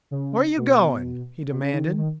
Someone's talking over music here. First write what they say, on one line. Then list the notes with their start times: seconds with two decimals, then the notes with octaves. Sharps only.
"Where're you going?" he demanded.
0.11 C#3
0.57 B2
1.50 B2
1.62 C#3
1.74 D#3
1.86 D#3
1.97 D#3